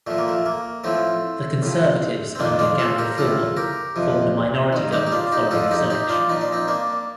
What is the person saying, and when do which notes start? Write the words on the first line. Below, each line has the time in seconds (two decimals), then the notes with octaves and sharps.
The Conservatives under Gary Filmon formed a minority government following this election.
0.07 A#2 F3 A3
0.18 A#3
0.28 A3
0.46 A#3
0.84 A2 F3 A3 C4
1.62 A2 F3
2.35 C4
2.39 F2 D#3 A#3 D4
2.59 D4 F4
2.78 F4 A4
2.98 G4 A#4
3.18 A2 F3 F4 A4
3.57 G4 A#4
3.96 F2 C3 F3
4.73 G2 D#3
4.92 D#4 G4
5.07 G4
5.12 D4 F4
5.32 D#4 G4
5.51 F2 D3 F3 F4 A4
5.71 D#4 G4
5.90 D#4 G4
6.09 D4 F4
6.29 A#2 F3 D#4
6.41 D4
6.52 C4 D#4
6.68 A#3 D4